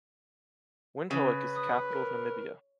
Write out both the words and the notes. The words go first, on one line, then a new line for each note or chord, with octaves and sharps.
Windhoek is the capital of Namibia.
C#3 B4
D#6
A#4